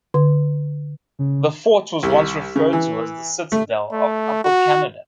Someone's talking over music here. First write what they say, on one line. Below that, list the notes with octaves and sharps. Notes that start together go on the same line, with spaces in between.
The fort was once referred to as the "Citadel of Upper Canada".
D3
C#3
C2
C#3
E3
A3
A3
F#4